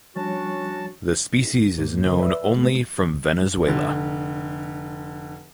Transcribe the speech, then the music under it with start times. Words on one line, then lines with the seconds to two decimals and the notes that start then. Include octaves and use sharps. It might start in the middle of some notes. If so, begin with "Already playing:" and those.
The species is known only from Venezuela.
0.16 F3 G3 C#4 D4 F#4 C#5 A5
1.78 G#2 A#3
2.05 D#2 C#3 A#4
2.20 B4 D5 E5 E6
2.56 G#3 A3 B3
3.67 F1 D3